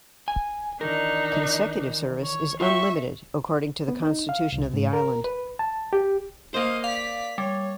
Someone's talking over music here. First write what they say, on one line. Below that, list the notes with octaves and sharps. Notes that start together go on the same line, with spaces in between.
Consecutive service is unlimited, according to the Constitution of the Island.
G#5
D#3 E3 D4 D#4 A#4
C#5
F4 E5 G5 C#6
B3
D#4
F5
C2
G#2
A#4
B4
A5
G4
A#3 C5 D#5 F5
D5 F5 B6
G3 C#5